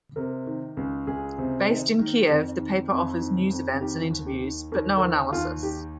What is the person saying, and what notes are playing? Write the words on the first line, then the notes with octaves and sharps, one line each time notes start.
Based in Kiev, the paper offers news events and interviews, but no analysis.
C3 A#4
D#3
C#2
C#2 G#4
C3
D#3
D#3
F2
D#3
F2
D#3
F2
D#3 G4
D#2
G4
D#3
D#2 A#4
A#4
D#3 C5
D#2 F4
D#3 G4